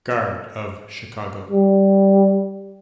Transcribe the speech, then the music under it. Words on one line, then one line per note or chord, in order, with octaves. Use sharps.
Gard of Chicago.
G3